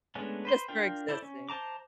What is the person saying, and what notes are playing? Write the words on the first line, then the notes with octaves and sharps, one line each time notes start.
Just for existing.
G#3 A3 B3 C#4 D4
B4 C5 C6
D4 F4 A#4 G5
E4 A4 C5 D5
C#4
C5 A5 A#5 D6